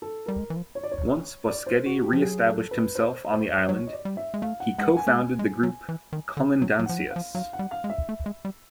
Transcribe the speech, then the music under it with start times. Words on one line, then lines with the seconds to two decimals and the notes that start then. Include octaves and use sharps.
Once Boschetti reestablished himself in the island, he co-founded the group "Colindancias".
0.02 A4
0.26 G3 A#4
0.38 G#3
0.50 E3
0.57 F3
0.75 C#5
0.84 D5
0.91 C#5
1.49 D5
1.66 C5
1.86 F#4
2.04 G4
2.13 F3
2.22 F#3 G#4
2.46 A4
2.71 B4
2.95 C5
3.32 C5
3.68 F#3 C#5
3.87 D#5
3.93 D5
4.05 G3
4.17 E5
4.34 G#3
4.42 A3 F5
4.60 F#5
4.78 G#3 F#5
4.97 G#5
5.07 A3
5.15 G#3
5.39 G#3
5.63 F#3
5.89 E3
6.13 D#3
6.37 D3
6.62 F#3
6.79 F#3
6.86 F3 F#5
6.98 F#3
7.10 F5
7.16 F3
7.35 F#3 F5
7.53 F#5
7.59 G3
7.71 F5
7.84 G#3
7.90 E5
8.09 A3
8.26 G#3
8.45 G3